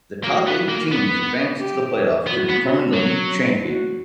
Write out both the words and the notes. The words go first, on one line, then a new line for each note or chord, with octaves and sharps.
The top eight teams advance to the playoffs to determine the league champion.
A#3 F#4
B3
A#3
B3
G4
B3 F#4
B3
F#3
F#4